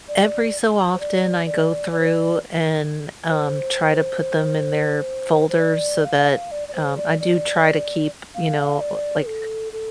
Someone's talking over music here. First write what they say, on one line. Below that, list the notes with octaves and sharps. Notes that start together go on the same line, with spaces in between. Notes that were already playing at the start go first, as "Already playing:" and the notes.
Every so often, I go through and, um, try to put them in their folders so that um, I do try to keep, you know, l like,
D5
C5
D5
D5
D5
C5
D5
C5
C5
D5
F5
D5
D5
C5
D5
D5
F5
D5
A4
A4